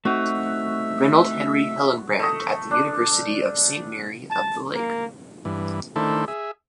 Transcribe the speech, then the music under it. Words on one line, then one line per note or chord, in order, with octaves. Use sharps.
Reynold Henry Hillenbrand at the University of Saint Mary of the Lake.
A3 C4 D#4 F#4 E5
A3 D#5
D4
A5
A#3
G2 E3
D#3 A3 D4 E4 A4 C5
G#4 E5